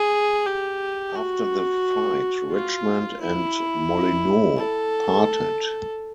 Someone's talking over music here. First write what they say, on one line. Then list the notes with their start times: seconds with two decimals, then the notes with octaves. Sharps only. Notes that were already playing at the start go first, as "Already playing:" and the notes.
After the fight Richmond and Molineaux parted.
Already playing: G#4
0.46 G4
1.15 F#4
2.51 F4
3.20 E4
4.57 A4